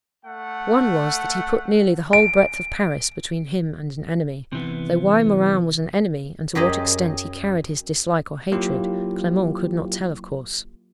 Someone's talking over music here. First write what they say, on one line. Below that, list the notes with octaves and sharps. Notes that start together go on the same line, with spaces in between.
One was, that he put nearly the whole breadth of Paris between him and an enemy; though why Morin was an enemy, and to what extent he carried his dislike or hatred, Clement could not tell, of course.
A3 F#5
D7
C3 E3 B3
F#2 G4 G#4 D#5
F#3 A#3 E4 F4 G4